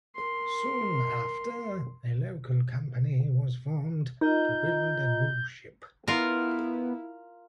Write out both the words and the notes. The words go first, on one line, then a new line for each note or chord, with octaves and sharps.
Soon after, a local company was formed to build a new ship.
A#4 C6
D#4 F4 A#4 D#5 A#5 G6
B3 E4 F4 A#4